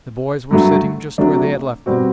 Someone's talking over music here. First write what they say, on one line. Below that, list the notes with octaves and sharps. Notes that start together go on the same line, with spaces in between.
The boys were sitting just where they had left them.
G2 F#3 A3
C3 F#3 A3 D4
B2 G3 C4 F#4